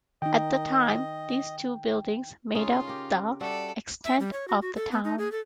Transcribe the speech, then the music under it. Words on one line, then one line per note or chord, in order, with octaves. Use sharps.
At the time, these two buildings made up the extent of the town.
D#3 D#4 D#5 G5
C#3 C#4 D#4 F4
G4 A#4
G3 F#4 A4 D5 E5
E5
G3
C#5
F#4
F#4
A4
B3
D#4
G#4
A4